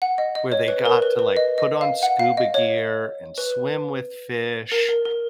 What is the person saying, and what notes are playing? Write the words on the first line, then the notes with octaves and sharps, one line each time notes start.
where they got to like put on scuba gear and swim with fish
F#5
D#5
D#5
C#5
B4
A#4
B4
B4
D#5
D#5
F5
F#5
F5
D#5
C#5
B4
A#4
A#4
A#4